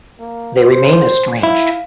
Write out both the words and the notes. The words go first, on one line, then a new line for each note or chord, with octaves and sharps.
They remain estranged.
A#3
C5
E4 F5